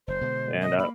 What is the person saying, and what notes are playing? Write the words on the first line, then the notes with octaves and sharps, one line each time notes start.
And, uh
F#1 C5
B2 D3 G#3
D#5
A#3 B5